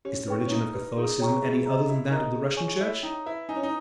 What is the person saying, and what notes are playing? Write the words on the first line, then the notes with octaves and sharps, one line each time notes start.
Is the religion of Catholicism any other than that of the Russian Church?
C#4 G4
B4 G5 C#6
C#4
D#4 E4
G4 B4
D#4 G#4
C#5 G5 A#5 C#6
E4 G#4
D#5 A#5
E4 G4
D#4 A#4 D#5 A#5
G#4
C#5 G#5 C#6
E4 C#5
D#4 G5 A#5
E4 B4
D#4 D#5 G#5
C#4
D#4